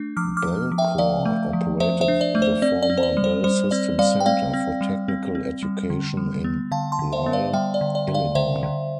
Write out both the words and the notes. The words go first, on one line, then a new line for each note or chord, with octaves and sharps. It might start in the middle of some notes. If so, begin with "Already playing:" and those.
Bellcore operated the former Bell System Center for Technical Education in Lisle, Illinois.
Already playing: A3 D4
F3 D6 F6
D6 F6
F3
F3
E5 G5
F3 D5 F5
A3
F3
F3 C5 E5
C5 E5
D4
D5
A3
C5
C4 D5
D5
C4
C5
D5
G3
C5
G3 C5
C4 D5
G3 D5 F5
G5
C4 D5 F5
C4
G3
C4
C4
G3
D3
G3
B3
D3 F5 A5
A5 C6
D3
C5 E5
B3
D5 F5
G3 E5 G5
D5
D3
D5
D3
D5 F5
D3 C5 E5
D3